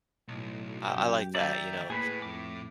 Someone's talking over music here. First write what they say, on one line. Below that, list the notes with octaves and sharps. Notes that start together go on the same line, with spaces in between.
I I like that, you know,
B1 A2
F#2 G4
D#2 D5 E5 G5 A#5
A2 A#3 G#4 B4 B5
F2 D6